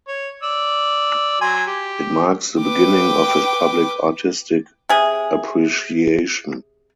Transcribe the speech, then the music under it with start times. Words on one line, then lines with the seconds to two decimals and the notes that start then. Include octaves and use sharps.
It marks the beginning of his public artistic appreciation.
0.08 C#5
0.43 D5 E6
1.41 F#3 G#5 C6
1.67 G4
2.60 B4 G5 D6
4.89 C3 G#4